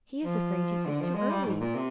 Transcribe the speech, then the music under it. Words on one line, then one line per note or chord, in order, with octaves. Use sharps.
"He is afraid he is too early!"
F3
D3
F3
G#3
G3
G#2
A#2
C3